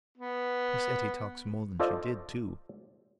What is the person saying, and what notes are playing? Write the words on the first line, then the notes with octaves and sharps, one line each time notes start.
Miss Etty talks more than she did, too.
B3
F4 A4 C5 D5 D#5